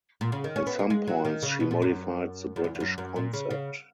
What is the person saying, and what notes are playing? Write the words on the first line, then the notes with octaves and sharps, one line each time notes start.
In some points she modified the British concept.
A#2
C#3
D#3
C#4
B3
A#3
G#3
F#3
D#3
C#3
B2
A#2
F#2
F#2
E2
E2
F#2
F#2
A#2
C#3
C#3